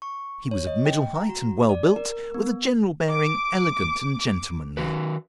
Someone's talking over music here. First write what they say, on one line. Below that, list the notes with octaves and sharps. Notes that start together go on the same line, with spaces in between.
He was of middle height and well built, with a general bearing elegant and gentlemanly.
C#6
C#5
D#5
G5
A#5
F#4
D5
A#4
A#4
B3
D6
D#3 F#4 B4